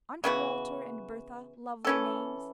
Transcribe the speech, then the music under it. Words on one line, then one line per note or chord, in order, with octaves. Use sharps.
Aren't Walter and Bertha lovely names?
C#3 E3 B3 F#4
E3 C#4 A4